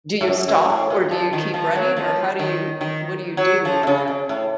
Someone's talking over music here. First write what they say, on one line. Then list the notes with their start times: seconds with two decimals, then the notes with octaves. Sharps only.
Do you stop or do you keep running or how do you what do you do in that?
0.21 A2
0.28 F#2
0.48 F#2
0.70 A2
0.90 A#2
1.11 F3
1.33 D#3
1.54 F3
1.75 F#3
1.97 F3
2.39 D#3
2.81 D#3
3.37 F#3
3.65 F3
3.83 C3
3.87 C#3
4.08 C#3
4.29 A2